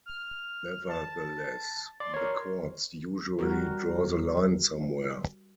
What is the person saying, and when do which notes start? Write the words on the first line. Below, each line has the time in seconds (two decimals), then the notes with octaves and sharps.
Nevertheless, the courts usually draw the line somewhere.
0.06 F6
0.89 A5
2.00 D5 C6
2.14 A#4 C#5
3.39 G3 F#4 A#4